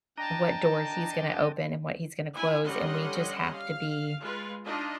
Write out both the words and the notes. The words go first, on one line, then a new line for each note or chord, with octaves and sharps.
what doors he's gonna open and what he's gonna close, and we just have to be
D4 D#5 G5 A5 A#5
E4 G#5
D3 G3 C#4 D#5 F#5 C6
F5
G#3 F4 B4
D4 D#4 F4 D#5